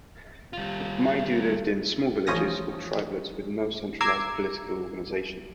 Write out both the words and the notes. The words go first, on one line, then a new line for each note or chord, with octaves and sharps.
Maidu lived in small villages or tribelets with no centralized political organization.
G3 F4
A1 F3 C#4 D#6 A#6
A#5 D6 E6 G#6 C7